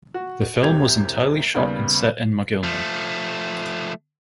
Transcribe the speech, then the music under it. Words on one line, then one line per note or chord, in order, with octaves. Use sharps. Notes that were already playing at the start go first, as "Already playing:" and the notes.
The film was entirely shot and set in Mogilno.
F#4
E1 C2 C4 G4 G#6 F7
D#2 C#3 G3 B3
F3 A3